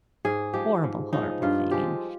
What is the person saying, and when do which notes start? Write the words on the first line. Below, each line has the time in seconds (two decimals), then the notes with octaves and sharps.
horrible, horrible thing, and,
0.25 G#2 G#4
0.54 F3 G#3 G4
0.84 G#2
1.13 F3 G#3 D#4
1.42 G2 F4
1.71 F3 G#3 G4